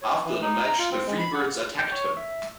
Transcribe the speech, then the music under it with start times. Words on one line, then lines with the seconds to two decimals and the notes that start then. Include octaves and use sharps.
After the match, the Freebirds attacked him.
0.02 C#5
0.24 E3
0.42 D#4
0.65 A#5
0.79 F4
0.92 C4
1.07 G#3
1.18 B5
1.34 F#5
1.79 G5
1.92 C#5
2.17 E5